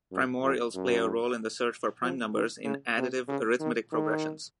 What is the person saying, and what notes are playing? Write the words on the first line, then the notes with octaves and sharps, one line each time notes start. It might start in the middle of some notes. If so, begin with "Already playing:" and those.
Primorials play a role in the search for prime numbers in additive arithmetic progressions.
F#2
F2
F#2
F3
D#3
C#3
C3
C#3
D#3
D#3